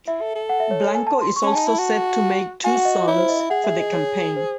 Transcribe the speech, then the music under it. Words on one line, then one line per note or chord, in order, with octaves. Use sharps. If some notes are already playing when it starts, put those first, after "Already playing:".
Blanco is also set to make two songs for the campaign.
E4 E5
A4
A4
F#5
E5
C#5
C#5
G#5
A5
C6
C#6
C#4 A5
G#5
D#4 A5
E4 A5
F#4
F#4 G#5
F#5
D#5
D#5
E4 C#5
C5
D#5
E5
G#4 F#5
E5
D#5
C#5
C5